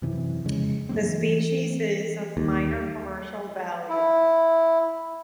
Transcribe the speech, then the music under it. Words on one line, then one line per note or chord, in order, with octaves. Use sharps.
The species is of minor commercial value.
F#2 C3 E3
F2 C#3 G#3
G2 F#3 A#3 C4
E3
D#2
E4